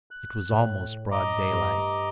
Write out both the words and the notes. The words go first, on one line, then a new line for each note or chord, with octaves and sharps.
It was almost broad daylight.
F#6
A2
D#5 A#5 D6
G2 C6